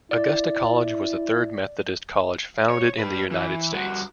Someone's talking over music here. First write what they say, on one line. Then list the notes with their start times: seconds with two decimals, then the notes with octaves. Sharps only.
Augusta College was the third Methodist college founded in the United States.
0.11 E4 D5
2.70 C#5
2.99 G4 B4
3.31 E3
3.72 G2 F#4